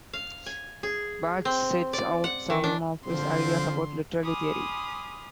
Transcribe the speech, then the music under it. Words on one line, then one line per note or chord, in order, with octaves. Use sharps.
Barthes sets out some of his ideas about literary theory.
F5
G#5
G#4
C4
D5
F#5
D#3
D4
D3 F3 C4 C6
G#5 B5 C6 D6 D#6 F6